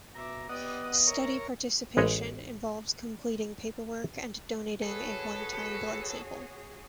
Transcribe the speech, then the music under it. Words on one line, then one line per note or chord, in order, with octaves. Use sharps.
Study participation involves completing paperwork and donating a one-time blood sample.
B2 E5 A#5 D6
B3 G4 D5 D#5 F#5 D#6
A#4 C#5 E5 A#5
A1 G#3 B4 C#5 D#5 F5
F#4 G#4 A4 B4 C#5